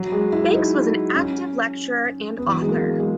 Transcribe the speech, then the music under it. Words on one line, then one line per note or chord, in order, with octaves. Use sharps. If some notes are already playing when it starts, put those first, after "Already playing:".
Banks was an active lecturer and author.
Already playing: F#3
G#3
E4
D#4
C#4
B3
E3
F#3
G#3
A#3
G#3